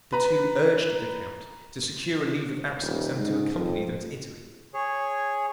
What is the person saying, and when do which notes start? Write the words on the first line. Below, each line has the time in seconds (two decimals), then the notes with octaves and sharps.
The two urged the count to secure a leave of absence and to accompany them to Italy.
0.12 B4 A#5
2.81 D#1
3.15 G#2
3.55 F2
4.74 G#4 C#5